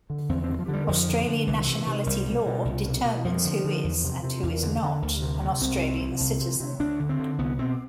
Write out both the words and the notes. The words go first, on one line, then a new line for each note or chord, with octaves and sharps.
Australian nationality law determines who is and who is not an Australian citizen.
D3
E2 C4
D3 C4
F3
D3 G3
F2 F3
D3
D3
C2 E3
C3
C3
C2 G3
B2
B2
C2
B2
B2
F2 F3
D3
D3
E2
C3
C3
E2
D3
D3
D2
C3
C3
C2 C4
C3
C3
C2
C3
C3
D2 D4
D3
C4
D3
C2 B3
B2 C4